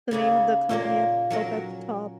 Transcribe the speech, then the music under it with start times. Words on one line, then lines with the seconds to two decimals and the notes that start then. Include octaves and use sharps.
the name of the company up up at the top
0.11 C#3 A#3 C#4 G#4
0.69 A#2 A#3 C#4 A#4
1.30 F#3 C#4 A#4